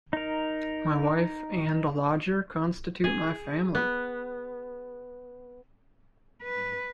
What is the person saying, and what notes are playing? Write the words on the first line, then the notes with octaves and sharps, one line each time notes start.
My wife and a lodger constitute my family.
D#4 A#4
G#4
B3
B4